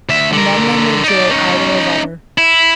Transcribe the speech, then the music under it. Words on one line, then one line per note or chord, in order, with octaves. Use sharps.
And then they made joy either of other.
D2 E5
D3 A#4
D#4 D5
C#4 D#4
E4